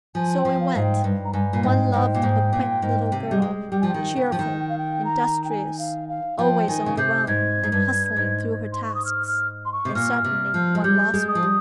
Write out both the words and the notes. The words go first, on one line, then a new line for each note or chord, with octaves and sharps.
So it went; one loved a quaint little girl, cheerful, industrious, always on the run and hustling through her tasks; and suddenly one lost her.
F3 G#5
G5
F3
F5
G#2
G5
G2
A#5
G2 G#5
A#2
G#2 G5
G#2
A#2
G#2
A#2
G#2
C3
G3
G#3
G3 G5
F3 G#5
G5
D#3
C#3
F3
D#3
G5
F5
G5
A#5
G5
G#5
F5
F5
F3 G5
D#3 G#5
C#3
C3 G6
G#2 G#6
G#2
G2
G#2
C6
C#6
D#6
F6
F6
C6
C#6
C3
A#2 F6
C3
F3
G#3
G3 G6
G#3
D#6
F3
G3